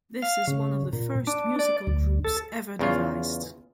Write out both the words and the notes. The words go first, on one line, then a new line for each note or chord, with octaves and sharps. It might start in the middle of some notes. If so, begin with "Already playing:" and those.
This is one of the first musical groups ever devised.
F5
C#3
A#2
D4
D5
D2
A4
E2 C#3 F4